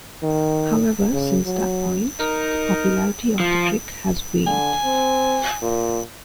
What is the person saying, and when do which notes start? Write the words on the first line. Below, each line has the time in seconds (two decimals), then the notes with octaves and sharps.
However, since that point, the popularity of the trick has waned.
0.23 D#3
1.13 C#3
1.46 F#3
2.19 D#4 A#4
3.40 F3
4.47 D3 G#5
4.85 C4
5.62 A#2